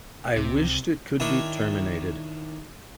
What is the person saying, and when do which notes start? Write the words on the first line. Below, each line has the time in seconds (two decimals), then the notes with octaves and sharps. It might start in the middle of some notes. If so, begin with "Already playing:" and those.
I wished it could be terminated.
0.36 C#2 C3
1.20 D#3 D4 E4 C#5 C#6